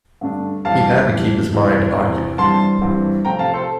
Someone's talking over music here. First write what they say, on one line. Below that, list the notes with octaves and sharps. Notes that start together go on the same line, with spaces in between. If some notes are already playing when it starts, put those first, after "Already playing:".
He had to keep his mind occupied.
G2 D3 A3 D4
F2 E3 G3 F5 A5
F2 E3 G3
E2 C3 E3
E2 C3 E3
G2 E3 G3 C4 A5 C6
G2 E3 G3 C4
C3 F3 A3 C4 G5 A#5
F5 A5
A4 C5